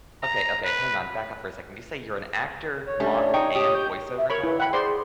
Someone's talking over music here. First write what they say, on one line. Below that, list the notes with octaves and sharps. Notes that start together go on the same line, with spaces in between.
Okay, okay, hang on. Back up for a second. Did you say you're an actor, model, and voice over talent?
A#5
B4
C#5
G3 A3 C#4 D4
D#4 G5 C#6
G4 D#6
G6
E5
A#4 C#5 B5
E4 B4
F#5 G5 B5
G#4 C5 D5 C6